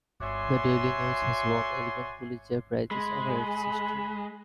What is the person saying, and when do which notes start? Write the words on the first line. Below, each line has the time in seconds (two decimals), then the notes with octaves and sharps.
The "Daily News" has won eleven Pulitzer Prizes over its history.
0.21 F#4 C#5 D5 E5 G#5 C6
2.91 G#3 B5